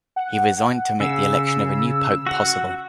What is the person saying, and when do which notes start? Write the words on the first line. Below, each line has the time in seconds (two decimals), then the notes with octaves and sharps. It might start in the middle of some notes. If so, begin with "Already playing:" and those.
He resigned to make the election of a new pope possible.
0.16 F#5
1.00 C#3 E6
2.27 F#4 F#5